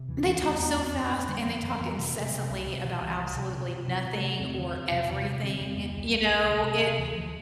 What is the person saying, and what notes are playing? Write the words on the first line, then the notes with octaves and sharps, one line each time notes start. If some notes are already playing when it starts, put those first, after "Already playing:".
They talked so fast, and they talked incessantly about absolutely nothing or everything, you know? It
Already playing: C3
D2 E3
E2 E3
E2 A3
E2 B3
F2 C4
F2
B3
F2
D3 G3
F2 F3
F2 E3
F2
C3
C3
C3
C2
C3
B2 E3
C2
F3
C2
C3
C3
C3
C3
C3
A3
C3
E2 C4
D3
E2
C3
C3
C3
D3 C4
E2 C4
E2 B3
C2 G3
C2
C2
D2
C3
C3
D2 E3
D2 F3